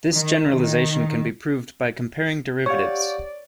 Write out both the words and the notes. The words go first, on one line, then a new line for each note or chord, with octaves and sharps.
This generalization can be proved by comparing derivatives.
D#3
D#3
G4 C#5 D5 F5 F#5 C#6